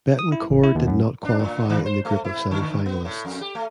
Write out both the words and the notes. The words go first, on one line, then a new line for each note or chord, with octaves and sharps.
Betancourt did not qualify in the group of semifinalists.
D#6
E4
A1
E4
D#2
F#2
D4
A2
D#3
C5
A3
E4
D3
B3
A2
F2
G4
A3